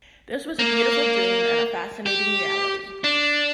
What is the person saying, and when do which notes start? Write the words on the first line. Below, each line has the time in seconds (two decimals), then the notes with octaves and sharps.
This was a beautiful dream, and a fascinating reality.
0.59 A#3
2.06 G4
3.04 D4